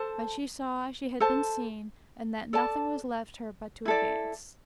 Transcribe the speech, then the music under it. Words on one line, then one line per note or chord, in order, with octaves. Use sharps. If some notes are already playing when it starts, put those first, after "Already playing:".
But she saw she had been seen and that nothing was left her but to advance.
Already playing: A4 C5 A5
A4 C5 A5
A4 D5 A5
E4 A4 D5